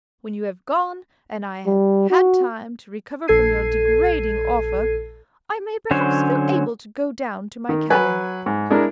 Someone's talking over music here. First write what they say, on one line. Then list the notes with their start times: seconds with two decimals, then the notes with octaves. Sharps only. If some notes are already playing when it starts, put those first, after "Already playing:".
When you have gone, and I have had time to recover from your degrading offer, I may perhaps feel able to go down to my cabin.'
1.67 G3
2.10 F#4
3.28 A#1 A4 G#6 C7 D#7
5.91 D3 F#3 C#4 C5 C#5
7.69 D#3
7.90 F#3 B4 G#5
8.46 G#2
8.70 G#3 D4 E4 A#4